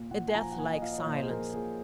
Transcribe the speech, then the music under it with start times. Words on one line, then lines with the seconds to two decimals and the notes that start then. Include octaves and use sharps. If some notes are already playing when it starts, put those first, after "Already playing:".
A deathlike silence.
Already playing: A#2
0.11 A#2 F#5
0.28 G#5
0.34 F3 A#5
0.52 F#5
0.58 A#2 G#5
0.73 D#5
0.81 F3 F5
0.92 D#5
0.98 C#5
1.06 A#2
1.14 C5
1.22 G#4
1.30 F3 A#4
1.53 A#2 G#4